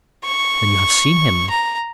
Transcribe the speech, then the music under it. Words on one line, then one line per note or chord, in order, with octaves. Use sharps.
"Then you have seen him?"
C#6
A#5